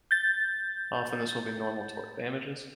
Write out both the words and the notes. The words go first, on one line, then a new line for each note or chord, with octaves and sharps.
Often this will be normal tort damages.
G6 A6